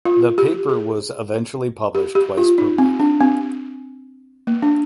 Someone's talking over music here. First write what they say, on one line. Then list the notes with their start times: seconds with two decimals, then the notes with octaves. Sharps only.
The paper was eventually published twice per week.
0.05 F4
0.38 G4
0.69 G#4
1.95 G4
2.15 G4
2.37 F4
2.58 D#4
2.78 C4
3.00 D4
3.20 C4
4.47 A#3
4.62 D4